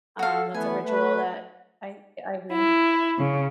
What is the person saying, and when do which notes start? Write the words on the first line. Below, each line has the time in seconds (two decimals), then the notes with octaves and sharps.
um, that's a ritual that I I do.
0.19 F#4 A4 F5
0.54 E3 A3 B3 G#5
0.84 A3 B4
2.52 E4
3.17 C#3